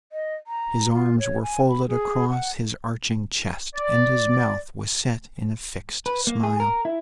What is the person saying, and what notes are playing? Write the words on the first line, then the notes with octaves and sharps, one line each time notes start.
His arms were folded across his arching chest, and his mouth was set in a fixed smile.
D#5
A#5
F4
C#5
G#5
B5
G#4
F#5
D5
B4
A#3
G#4
A#4
E4